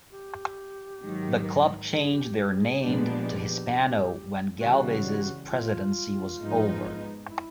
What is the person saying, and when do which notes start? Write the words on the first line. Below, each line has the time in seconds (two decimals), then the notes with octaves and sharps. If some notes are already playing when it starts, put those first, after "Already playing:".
The club changed their named to Hispano when Galvez's presidency was over.
0.11 G4
1.01 G#2 D#3 F#3
1.91 G#4
2.14 G4
2.37 G4
2.59 G#4
2.81 A#2 F3 G#3 B3 D4 G4
4.61 C#3 E3 G3 F#4
5.50 F4
6.40 G#2 F3 G#3 B3 D#4
7.30 E4